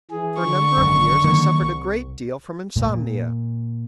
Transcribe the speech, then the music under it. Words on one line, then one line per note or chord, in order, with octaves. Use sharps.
For a number of years I suffered a great deal from insomnia.
E3 G#4
D3 C#6
G#1 F#2
D#3 F#3 A#3
C2
A#2